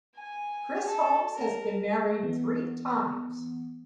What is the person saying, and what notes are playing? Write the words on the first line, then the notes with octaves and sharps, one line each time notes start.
Chris Holmes has been married three times.
G#5
A4
A#4
E3 B3